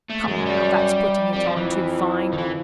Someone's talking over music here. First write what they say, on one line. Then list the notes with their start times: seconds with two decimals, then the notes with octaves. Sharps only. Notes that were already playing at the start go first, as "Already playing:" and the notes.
Come, now, that's putting it on too fine.
0.10 A3
0.28 F#2 G#3
0.46 G3
1.33 F2 G3
1.45 F3
1.56 E3
2.33 D#3
2.38 E3